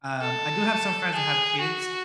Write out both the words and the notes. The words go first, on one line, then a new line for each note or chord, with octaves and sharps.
um, I do have some friends that have kids,
A4
G#4
F#4